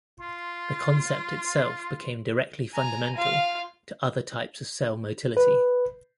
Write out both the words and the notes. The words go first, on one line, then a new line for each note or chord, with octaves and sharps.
The concept itself became directly fundamental to other types of cell motility.
F4 C6
G#5 A#5
F4 F5
B4